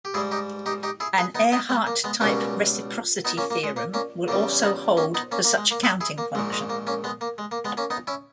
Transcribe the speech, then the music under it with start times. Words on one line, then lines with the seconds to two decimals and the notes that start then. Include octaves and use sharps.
An Ehrhart-type reciprocity theorem will also hold for such a counting function.
0.05 G4
0.14 G#2 E4 G#4
0.17 G3
0.31 D#4 G4
0.66 D#4 G4
0.83 D#4 G4
1.00 E4 G#4
1.18 G#4 B4
1.35 B3 D#4
1.52 B3 D#4
1.69 G#3 B3
1.87 A#3
2.04 G#3 B3
2.21 C#2 B2 G3 A#3 C#4
3.25 B3 D#4
3.37 A#3 C#4
3.51 A#3
3.64 G#3
3.76 A#3
3.94 A#3 C#4
4.28 E2 C#3 G3 A#3
4.62 B3 D#4
4.97 A#3 C#4
5.14 B3 D#4
5.32 A#3 C#4
5.44 A#3
5.57 G#3
5.71 A#3
5.83 E4 G#4
6.01 E4 G#4
6.18 A#3
6.35 A#1 G#2 D#3 G#3
6.52 G#3
6.70 A#3
6.87 A#3 C#4
7.04 G#3 B3
7.21 A#3
7.38 G#3
7.51 A#3
7.65 G#3 B3
7.77 A#3 C#4
7.90 B3 D#4
8.07 C#4 E4